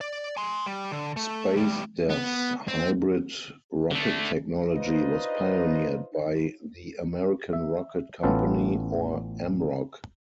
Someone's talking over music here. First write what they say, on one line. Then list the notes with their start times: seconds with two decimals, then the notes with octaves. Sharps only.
SpaceDev's hybrid rocket technology was pioneered by the American Rocket Company, or AmRoc.
0.01 D5
0.37 G#5 C6
0.66 G3
0.92 D3
1.16 A3
1.55 E2 G3
2.10 B3
2.68 C4
3.91 D3 A3
4.73 D4 D#4 F4 B4 C5 D#5
7.53 E5
8.23 A1 B3 C#4 F4 A4 B4